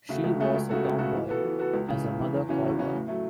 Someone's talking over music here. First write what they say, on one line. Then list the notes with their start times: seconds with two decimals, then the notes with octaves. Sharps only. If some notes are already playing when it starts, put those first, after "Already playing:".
She was a 'tomboy', as her mother called her.
0.09 C#3 A3 F#4
0.24 C#2
0.40 C#3 A3 F#4
0.55 C#2
0.69 C#3 A3 F#4 A4
0.85 C#2
0.99 C#3 A3 F#4 A4
1.14 E3
1.29 B3 F#4 A4
1.44 E3
1.59 B3 F#4 A4
1.74 C#2
1.88 C#3 E3
2.04 C#2
2.19 C#3 E3
2.34 E2
2.49 C#3 E3 C#4 F#4
2.64 E2
2.79 C#3 E3 C#4 F#4
2.94 A2
3.08 F#3 A3